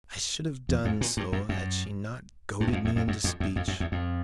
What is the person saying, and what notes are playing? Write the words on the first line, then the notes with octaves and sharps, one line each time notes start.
I should have done so had she not goaded me into speech.
E2
F2
A#2
G2
F#2
F#2
G2
F#2
F2
E2
F2
F#2
F2
E2
F2
F#2
E2
F2